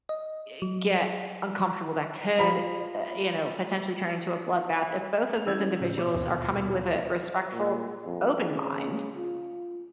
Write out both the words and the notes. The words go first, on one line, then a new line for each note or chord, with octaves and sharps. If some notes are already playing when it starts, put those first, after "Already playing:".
eh, get uncomfortable, that could, uh, you know, potentially turn into a bloodbath, if both of those individuals are coming with a respectful, open mind
D#5
F#3
F3 A#5 B5
F7
E3 C#4 E6 G6 G#6
A2 C#3
B2 C#5 E5 D6
D#1
A#2
F2
C#3
F4